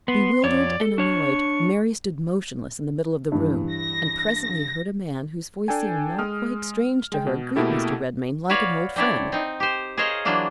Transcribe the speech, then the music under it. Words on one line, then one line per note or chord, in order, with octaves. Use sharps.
Bewildered and annoyed, Mary stood motionless in the middle of the room, and presently heard a man, whose voice seemed not quite strange to her, greet Mr. Redmain like an old friend.
B3 C6
F2 C#5 D5
A4
D4 C#5 C#6
G2 E3
A#6
D4 A4 G5 G#5
G#3 D#6 F6
G#3 G5
B2
B2 A3 A#3 E4 G4 A4
F#4 B4 C#5 D5 F5
C4 D4 E4 C#5 D5
C4 D#4
G4 C5
G#4 A#4 C5 C#5 D#5 F5
E3 F#3 A#3 D4 F4